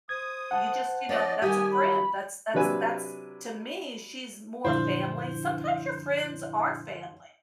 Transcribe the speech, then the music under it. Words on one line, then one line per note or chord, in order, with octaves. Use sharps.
You just You know, that's a friend, that's that's that's to me, she's more family. Sometimes your friends are family,
C5 D#6 G#6
F#5 A5
F3 C#4 D5 D#5
D#3 G3 G4 G#5 D#6
F#3 B5
C3 F#3 D4 B4 G#5 E6
F#2 A#2 D3 F3 D4 E4 C5